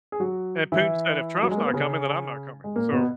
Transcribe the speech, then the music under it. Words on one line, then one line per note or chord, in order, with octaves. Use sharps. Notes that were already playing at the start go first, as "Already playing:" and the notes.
And Putin said, "If Trump's not coming, then I'm not coming." So
G#4
F#3 F#4
E3 E4
F#3
G#3
A#3
B3
C#3 C#4
G#3
A#2 A#3
B2 B3